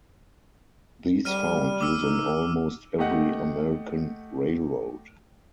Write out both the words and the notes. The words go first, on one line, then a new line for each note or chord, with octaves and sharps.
These found use on almost every American railroad.
G3 F6 D#7
D6 E6
D#4
A3 G4 D#5 F#5